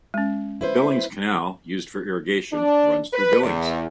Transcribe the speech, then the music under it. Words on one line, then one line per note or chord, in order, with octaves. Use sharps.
The Billings Canal, used for irrigation, runs through Billings.
G#3 C#4
E4 B4 C5
D4
B4
E2